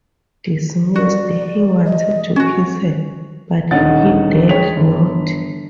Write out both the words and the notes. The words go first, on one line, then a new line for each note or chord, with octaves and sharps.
Dismissed, he wanted to kiss her, but he dared not.
F#4 D5
D#5
C4 C#4 F#4
D#1 D2 C#4 D#4 F#5 A6
G#3 C#5 G5 B6 F7
G1